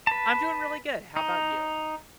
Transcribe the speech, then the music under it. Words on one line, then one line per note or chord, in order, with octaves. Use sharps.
I'm doing really good. How about you?
B4 A5
D#4